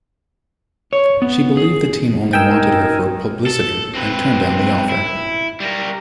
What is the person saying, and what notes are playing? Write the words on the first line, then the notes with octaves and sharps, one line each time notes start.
She believed the team only wanted her for publicity and turned down the offer.
C#5
B3
G#4
D#4 A#4 G5 G#5 E6
A4
C4 B4
E4
G3 A#4